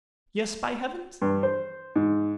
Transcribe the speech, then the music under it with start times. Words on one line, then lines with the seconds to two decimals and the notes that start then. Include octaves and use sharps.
Yes, by heavens!
1.22 G2
1.43 C5
1.96 G#2